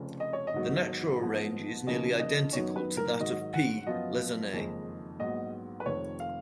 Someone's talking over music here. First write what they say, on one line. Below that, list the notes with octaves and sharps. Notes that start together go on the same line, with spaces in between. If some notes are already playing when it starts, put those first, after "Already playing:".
The natural range is nearly identical to that of "P. lessonae".
Already playing: F1 F2 C#3
D#5
C#5
D#5
G#2 D#3 F#3 B3
G#2 F3 G#3 B3
D#2 C#3 F3 A#3 D#4 D#5
D#5
F#2 D#3 F#3 B3 D#4 C#5
B4
A#4
G#2 D#3 F#3 D#5
F#5
F#2 F3 B3 F4 D#5
F#1 F2 D#3 G#3 D#4
A#1 G#2 F#3 B3 D#5
B4
F1 F2 D#3 C#5
F5